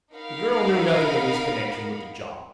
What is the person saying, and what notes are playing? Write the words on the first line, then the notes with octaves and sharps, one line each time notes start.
The girl knew nothing of his connection with the job.
D#4 A#4 F5 F#5 B5